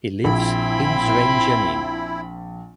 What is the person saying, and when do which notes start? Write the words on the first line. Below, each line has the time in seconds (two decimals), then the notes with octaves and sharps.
He lives in Zrenjanin.
0.24 A#1 C4 E4 B5